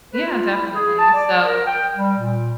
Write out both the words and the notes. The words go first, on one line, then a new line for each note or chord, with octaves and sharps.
Yeah, definitely, so.
B4
F4
E4
G#4
A5
D5
A#4
G5
G3
A#2